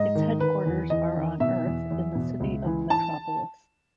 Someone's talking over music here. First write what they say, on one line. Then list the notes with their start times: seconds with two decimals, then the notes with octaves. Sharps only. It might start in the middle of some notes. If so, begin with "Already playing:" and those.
Its headquarters are on Earth in the city of Metropolis.
Already playing: G#2 D#5
0.15 D#3
0.40 D#3 B4
0.65 E2
0.90 E2 D#5
1.15 D#3
1.40 B2 E5
1.66 E2
1.90 E2
2.15 B2
2.40 C#2
2.66 E3
2.90 A5